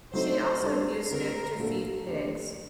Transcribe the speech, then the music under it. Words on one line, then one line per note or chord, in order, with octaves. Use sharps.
She also used it to feed pigs.
F#3 A3 C4 D#4 C5
G3 D4 A4
D3 A3 C4 F#4 A#4
A#2 A3 D4 F#4 A4
A3 D4 G4